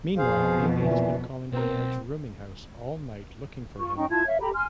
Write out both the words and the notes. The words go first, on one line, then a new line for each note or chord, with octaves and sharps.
Meanwhile, Amy has been calling Bernard's rooming house all night looking for him.
F2 B2 G#4 C5 F5
A#2 E3
B1 B3 C4 A#4
F4 C#6
C#4 D#4 G5 C#6
E4 F4 A5 G#6
C#5 E5 F5
G4 A4 A#5 B5
G#5 C6 F6